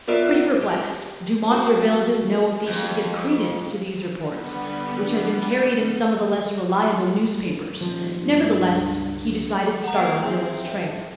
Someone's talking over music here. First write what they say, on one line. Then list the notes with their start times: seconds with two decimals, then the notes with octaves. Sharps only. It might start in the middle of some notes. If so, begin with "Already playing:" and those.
Pretty perplexed, Dumont d'Urville didn't know if he should give credence to these reports, which had been carried in some of the less reliable newspapers; nevertheless, he decided to start on Dillon's trail.
0.07 F#3 B3 F4 A#4 D5 E5
0.61 G4
1.51 C4 F#4 A#4 C5 F5 A5
2.68 F2
4.30 D3 G3 B3
7.81 D#1 F3
8.20 G2
8.71 C#2
9.17 D3
9.84 F#5 A#5
9.97 A#3 G4
10.23 C4 E4 G#4 G5
10.65 F2 E5